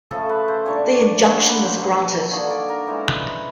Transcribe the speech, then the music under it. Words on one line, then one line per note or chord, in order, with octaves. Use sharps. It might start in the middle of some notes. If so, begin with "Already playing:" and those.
The injunction was granted.
C#3 F3 A3 A4
B4
C5
A#2 G3 A#3 D4 C#5
D5
D3 F#3 A#3 C#4 C#5
C5
B4
C5
B2 F#3 A#3
D3 G3 A#3 D#4 C#5
D5
A#4
E3 G#3 C#4 C5
B4